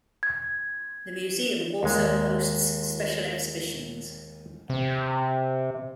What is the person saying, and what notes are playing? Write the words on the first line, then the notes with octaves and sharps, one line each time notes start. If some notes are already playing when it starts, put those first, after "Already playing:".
The museum also hosts special exhibitions.
G#6
D#2 G#3
C3